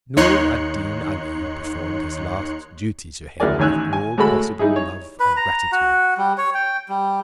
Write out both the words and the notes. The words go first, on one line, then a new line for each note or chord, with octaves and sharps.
Noor ad Deen Ali, performed his last duty to him with all possible love and gratitude.
D#2 D#4 C#5 C6 F#6 C#7
D2 E4 G#4 A#4 D5 G#5
A1 D#3 C#5 G#5 E6 F#6
G#5
A2 G#3 F#4 A4 B5
G3 D#4 E4 G#4
C#5
B4
A#5
F#4
G3
C#5
G5
G3